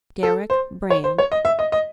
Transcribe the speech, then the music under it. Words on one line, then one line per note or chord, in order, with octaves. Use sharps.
Deryck Brand.
A4
C5
C#5
C5
C#5
D#5
E5
D#5
D#5